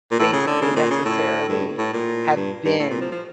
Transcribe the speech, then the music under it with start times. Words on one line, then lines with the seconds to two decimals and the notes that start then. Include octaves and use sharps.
basically, necessarily, have been
0.12 A#2
0.19 A2
0.33 C#3
0.48 D3
0.62 C#3
0.76 A#2
0.91 C#3
1.05 A2
1.49 G2
1.78 A2
1.93 A#2
2.36 G2
2.65 G2
2.80 A2
2.90 A#2
3.01 F3
3.12 F3